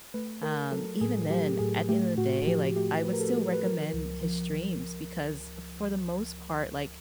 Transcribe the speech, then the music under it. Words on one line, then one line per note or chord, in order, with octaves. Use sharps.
um, even then, at the end of the day, like, I would still recommend his streams because for the most part, like,
A3 B4
A3 A#4
F#3 A4
A2 G#4
F#3 G4
A2 G#4
A3 G4
A2 F#4
F3 G4
A3 G4
F3 B4
A#4
A4
F3
B4
F3 A#4
C#2
F3